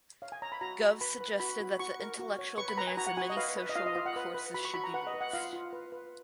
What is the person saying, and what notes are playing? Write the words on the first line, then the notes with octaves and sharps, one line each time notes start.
Gove suggested that the intellectual demands of many social work courses should be raised.
C#5 F5
G#5
C#5 A#5
B5
F#4 A#5
F#4
B4 B5
B4
F#4 B5
F#4
F#4 C#6
A#4
F#4
C#5
B4 C#6
B5
B4 A#5
G#5
F#4 A#5
F#5
F#4 G#5
D#5
B4 F5
B4
D#5
F4 F5
D#5
F4 F5
F#5
B4
B4
F#4 B5
C#6
F#4 B5
A#5
B4 F#5
D#5
B4
F#5
F4 F5
F4
B4
B4